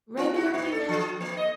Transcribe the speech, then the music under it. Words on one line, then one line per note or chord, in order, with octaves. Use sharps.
Regular peanuts
F4
F#4
A#3
A4
F3
A#3
D#5